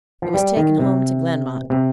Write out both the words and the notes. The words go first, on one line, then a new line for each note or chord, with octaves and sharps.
It was taken home to Glenmont.
F3
G3
D#3
C3
C3